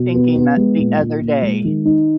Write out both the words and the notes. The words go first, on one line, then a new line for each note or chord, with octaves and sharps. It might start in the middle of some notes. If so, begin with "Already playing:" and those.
thinking that the other day.
Already playing: B2
B3
B3
G#3
A#2
A#2
A#2
G#3
D#3
D#4